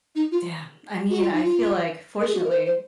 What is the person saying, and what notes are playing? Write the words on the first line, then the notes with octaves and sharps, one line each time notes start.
Damn, I mean, I feel like, fortunately
D#4
F4
F#4
F4
D#4
F4
A#4
G#4
F#4
A#4
C5
C5